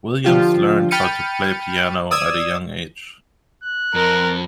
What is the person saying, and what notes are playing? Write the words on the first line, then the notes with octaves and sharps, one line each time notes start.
Williams learned how to play piano at a young age.
D3 F3 F4 G4
G5 B5 F6 A6 C#7 D#7
D5 D#6 E6 G#6
F#6
F2 A#4